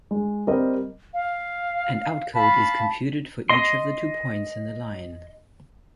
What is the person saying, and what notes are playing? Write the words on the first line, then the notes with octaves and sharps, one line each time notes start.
An outcode is computed for each of the two points in the line.
G#3
G3 C4 A#4 D#5
F5
F5 A5 B5
D#5 C6